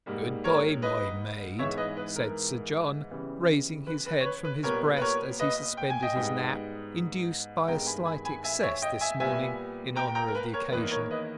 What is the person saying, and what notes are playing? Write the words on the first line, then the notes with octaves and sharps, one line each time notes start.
"Goodbye, my maid," said Sir John, raising his head from his breast as he suspended his nap, induced by a slight excess this morning in honour of the occasion.
G#2 G3 A#3
A#4 C#5
B4 D#5
G#2 E3 G#3 B3 C#5 E5
B4 D#5
B4
A#4
C#3 E3 G3 B3
B4
B4
C#5
B4
B4
A#2 G3 B3 A#4 C#5
B4
A#4 C#5
B4 D#5
G5
G#5
D#5 G5
G#2 G3 B3
G2 D#3 G#3 B3 G5 A#5
G#5 B5
G#5 B5
G#5 B5
E5 G#5
C#5 E5
D#5 G5
E5 G#5
A#2 G3 B3 E5 G#5
G5 A#5
G5 A#5
A#4
B4
A#4 C#5
E2 D#3 A#3 B4
A#4 C#5
B4 D#5